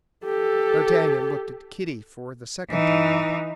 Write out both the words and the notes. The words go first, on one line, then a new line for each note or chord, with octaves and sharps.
D'Artagnan looked at Kitty for the second time.
G4 A4
E3 D#4